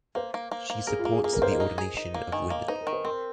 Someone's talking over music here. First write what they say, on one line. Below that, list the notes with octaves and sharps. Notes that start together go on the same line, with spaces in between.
She supports the ordination of women.
A#3 C5
A#3
A#3
A#3
G#4 A#4
F4
A#3
G#4
A#3 G#4
A#4
A#3 C5
D#5
D#4
G#4
D#4
A#3
D#3 G#5
A#3 D#5
D#4 C5
A#4
D#3
C5
C4 A#4